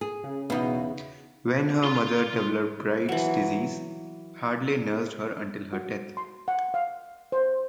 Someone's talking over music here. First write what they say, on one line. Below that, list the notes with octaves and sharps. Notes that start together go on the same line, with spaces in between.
When her mother developed Bright's Disease, Hadley nursed her until her death.
G#4
C#3
E2 B2 D#4
F4 C6
E3 F#3
F#4
C6
F#5
F5
C5